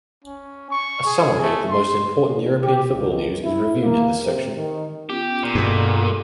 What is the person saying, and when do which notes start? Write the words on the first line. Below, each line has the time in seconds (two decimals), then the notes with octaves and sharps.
A summary of the most important European football news is reviewed in this section.
0.24 C#4
0.70 C#6
1.05 G#4
1.40 A3
1.70 C6
2.28 E2
2.60 G4
2.93 C#2
3.43 E4
3.81 A#3
4.22 C3
4.55 D#3
5.10 B3 C#4 F4 G4
5.43 A#2
5.55 G2 B2 G#4 A4